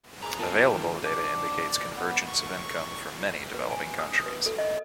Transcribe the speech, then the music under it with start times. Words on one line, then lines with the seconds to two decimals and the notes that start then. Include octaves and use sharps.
Available data indicates convergence of income for many developing countries.
0.22 G#4 B4 A#5 D6
0.39 B3 F4 A#4 C5 A5 B5
0.58 A#3 F4 G5
0.73 F#2 D#3
1.04 D4
1.69 D5
1.97 B3
2.28 C#6
3.54 B4
3.70 G#5
3.99 D#6
4.26 B4
4.46 A4
4.58 D#5